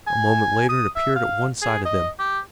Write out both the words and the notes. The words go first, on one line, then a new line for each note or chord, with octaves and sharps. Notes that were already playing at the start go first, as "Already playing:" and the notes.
A moment later it appeared at one side of them.
G#5
D#6
E5
F5
G#4
D#5
G4